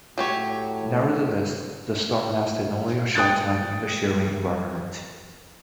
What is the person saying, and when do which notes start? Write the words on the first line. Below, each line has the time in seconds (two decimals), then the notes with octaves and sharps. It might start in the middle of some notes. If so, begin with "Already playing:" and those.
Nevertheless, the storm lasted only a short time in the shearing environment.
0.18 A2 F#3 G4 C#5
3.15 G5 D#6 F#6 A6